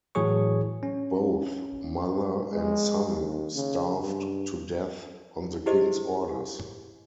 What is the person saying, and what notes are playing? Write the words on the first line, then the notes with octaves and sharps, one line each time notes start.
Both mother and son starved to death on the King's orders.
A2 E3 F#3 G#4 C#5 C#6
C#4
G#3
D#2
C#3
G2
E4 G4 G#4 C5 D#5